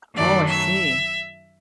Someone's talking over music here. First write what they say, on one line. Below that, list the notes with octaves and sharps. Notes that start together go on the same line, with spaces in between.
Oh, I see.
F#2 D#3 F#3 A3 D5
E5